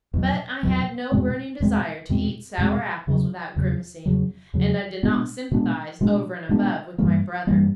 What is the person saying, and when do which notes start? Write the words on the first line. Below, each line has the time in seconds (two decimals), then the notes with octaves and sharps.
But I had no burning desire to eat sour apples without grimacing, and I did not sympathize over and above with my brother.
0.14 E2 B2 F#3
0.63 E2 B2 F#3
1.12 E2 B2 G#3 C4
1.60 E2 B2 G#3 C4
2.09 E2 B2 G#3 C4
2.58 E2 B2 G#3 C4
3.07 E2 C#3 F#3
3.56 E2 C#3 F#3
4.06 E2 C#3 F#3
4.54 E2 C#3 F#3
5.03 B2 G#3 B3 D4
5.51 B2 G#3 B3 D4
6.01 B2 G#3 B3 D4
6.49 B2 G#3 B3 D4
6.98 G2 E3 G3 A#3
7.47 G2 E3 G3 A#3